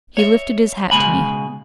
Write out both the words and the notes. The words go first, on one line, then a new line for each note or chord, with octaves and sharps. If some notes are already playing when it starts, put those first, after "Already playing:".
He lifted his hat to me.
C#5 E5
C#2 G2 B2 G#3 G#5 B5